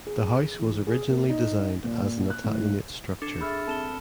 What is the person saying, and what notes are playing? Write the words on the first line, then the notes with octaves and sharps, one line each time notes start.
The house was originally designed as an Italianate structure.
G#4
E3
G#4
A#3
D#4
A#2
F#6
A2
D4 A4 C7 C#7 E7
G#4 E5 B5 E6 F6 A6
C4 A4 A5 E7 G7